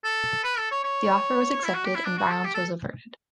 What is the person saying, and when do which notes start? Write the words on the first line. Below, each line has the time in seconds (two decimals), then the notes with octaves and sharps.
The offer was accepted, and violence was averted.
0.04 A4
0.44 B4
0.58 A4
0.71 C#5
0.84 C#5
1.64 E4
1.75 F#4
1.85 G4
1.95 E4
2.05 D4
2.17 F#4
2.31 A4
2.44 G4
2.54 A4